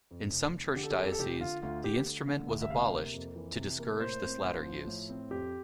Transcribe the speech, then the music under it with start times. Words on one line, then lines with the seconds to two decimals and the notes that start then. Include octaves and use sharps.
In some Church dioceses the instrument was abolished to discourage this latter use.
0.11 F2
0.32 F1
0.54 F1
0.76 D3 G4
0.83 A4
0.91 G4
0.97 F2 A4
1.05 G4
1.12 A4
1.19 F1 G4
1.41 D3 F4
1.62 D2 F4
1.84 D2 G4
2.05 A3
2.28 D3
2.48 D2
2.62 E5
2.70 C3 F5
2.92 A#3
3.14 F2
3.36 E3
3.57 C3
3.78 A#3
4.00 A2 C5
4.22 C4
4.44 A1
4.66 F3
4.87 A2
5.10 C4
5.30 F2 G4